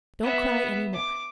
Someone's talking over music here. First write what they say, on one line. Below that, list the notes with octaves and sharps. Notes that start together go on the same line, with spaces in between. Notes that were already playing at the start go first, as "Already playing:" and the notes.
Don't cry any more.
B3 E5
D6